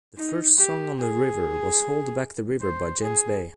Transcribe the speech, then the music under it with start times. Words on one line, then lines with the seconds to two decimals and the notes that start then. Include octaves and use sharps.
The first song on "The River" was "Hold Back the River" by James Bay.
0.17 D#4
0.57 G4
0.98 G#4
2.61 C5
3.01 G#4